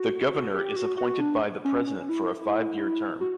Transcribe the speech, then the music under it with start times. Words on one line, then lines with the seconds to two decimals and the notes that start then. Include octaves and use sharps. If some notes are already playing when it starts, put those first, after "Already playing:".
The governor is appointed by the president for a five-year term.
Already playing: F#4
0.54 G4
0.76 F#4
0.98 F#4
1.20 D4
1.65 C#4
1.87 C#4
2.09 E4
3.21 F#4